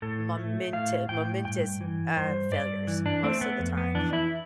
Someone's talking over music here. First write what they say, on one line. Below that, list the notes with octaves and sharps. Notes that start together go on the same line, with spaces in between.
momente momentous, uh, failures most of the time
A2 A4
A3
A2 F5
A2 G5
G2 G5
E3
G2 C5
G2 D5
E3
D4
A3 C4
B3
F2
B3
E3 D4
E4